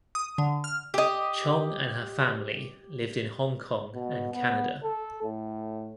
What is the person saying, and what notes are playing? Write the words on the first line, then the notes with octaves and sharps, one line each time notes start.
Chong and her family lived in Hong Kong and Canada.
D#6
D3
F6
G4 D#5
B2
B3
A4
A2